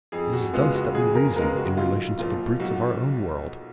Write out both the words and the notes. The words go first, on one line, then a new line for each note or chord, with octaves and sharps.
It is thus that we reason in relation to the brutes of our own world.
F2 G#4
F#4
C#3 G#3 B3 F4
F#4
F2 G#4
A#4
C#3 G#3 B3 A#4
F#4
B1 F4
A#2 F3 F4
B1 F#4